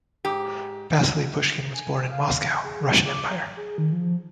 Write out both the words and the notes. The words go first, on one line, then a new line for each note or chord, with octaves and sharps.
Vasily Pushkin was born in Moscow, Russian Empire.
G#2 G4
G#5
F5
G#4
D6
A#5
G#4
D#3
F3